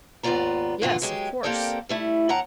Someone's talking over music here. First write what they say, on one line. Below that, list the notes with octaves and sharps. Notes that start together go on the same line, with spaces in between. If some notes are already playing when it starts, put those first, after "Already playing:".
"Yes, of course."
D#2 G#2 B3 F4 D5 A#5
G2 A#2 D3 F#3 F4
F#3 G#3 G4
A#3 C4 G4 A4 A#4 D5
G3 A3 E4
D#2 A#4 F#5 A5 A#5